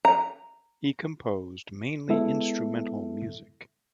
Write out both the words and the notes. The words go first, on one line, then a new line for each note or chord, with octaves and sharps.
He composed mainly instrumental music.
A#5
G#3 B3 E4 A4 E5